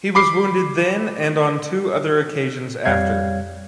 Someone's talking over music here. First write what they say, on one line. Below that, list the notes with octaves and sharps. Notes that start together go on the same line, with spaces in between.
He was wounded then and on two other occasions after.
B5 D6 C7
F2 G3 C#5 F5 G#6